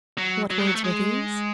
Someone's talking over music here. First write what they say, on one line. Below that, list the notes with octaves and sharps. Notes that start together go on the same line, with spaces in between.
What words were these?
F#3
F#3
G#3
F#3
A3
G#3